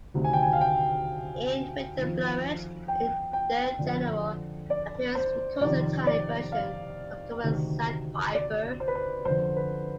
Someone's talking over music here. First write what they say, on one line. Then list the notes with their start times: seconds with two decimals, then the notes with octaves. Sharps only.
In winter plumage, the general appearance recalls a tiny version of common sandpiper.
0.14 D2 C3 D#3
0.24 G#5
0.33 G5
0.43 G#5
0.53 F5
0.61 G5
1.97 F2 D#3
2.88 G5
3.33 G5
3.78 F2 D3
4.70 D5
5.15 C5
5.61 F2 C3 D#3 D5
6.07 D5
6.52 F5
7.43 D2 C3 D#3
8.35 D5
8.80 C5
8.88 B4
8.95 C5
9.25 F2 C5
9.30 D3
9.56 B4